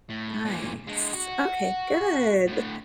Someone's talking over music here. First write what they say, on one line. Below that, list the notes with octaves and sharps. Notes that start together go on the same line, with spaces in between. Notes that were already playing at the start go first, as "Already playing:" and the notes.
Nice, okay, good, th
A2
A#2 E3
D3 G#3
F#4
A2 D3